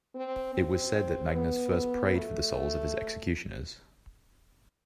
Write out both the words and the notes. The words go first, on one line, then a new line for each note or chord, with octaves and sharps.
It was said that Magnus first prayed for the souls of his executioners.
C4
C4
B3
A3